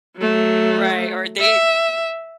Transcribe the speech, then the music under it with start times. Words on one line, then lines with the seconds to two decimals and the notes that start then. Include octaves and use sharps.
Right, or they
0.16 F#3 A3
1.39 E5